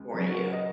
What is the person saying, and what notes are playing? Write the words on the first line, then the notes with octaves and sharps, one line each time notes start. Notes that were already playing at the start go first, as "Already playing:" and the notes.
for you.
Already playing: C#2
C#3 F#3 C#4
F#4 A#4
D#5